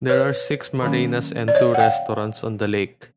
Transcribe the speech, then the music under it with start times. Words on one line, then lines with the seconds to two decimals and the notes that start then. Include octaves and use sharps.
There are six marinas and two restaurants on the lake.
0.09 B4 C#5
0.82 D#3 F#3 A#3 C#4
1.48 D5
1.55 C#5 D#5
1.74 F#5
1.79 F5 G5